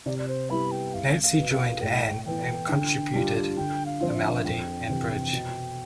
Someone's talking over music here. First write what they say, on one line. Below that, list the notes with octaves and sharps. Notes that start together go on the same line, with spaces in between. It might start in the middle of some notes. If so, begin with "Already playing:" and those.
Nancy joined Ann and contributed a melody and bridge.
C3 D5
D5
C5
G3 B3 E4 B5
G5
C2 F5
F5
B2 B3
F5
A2 G5
E3 B3 E4 G5
D3
G3 D4 F4
D3 G5
F5
F3 C4 F4
D5
E5
F2 G5
C3 E3
B2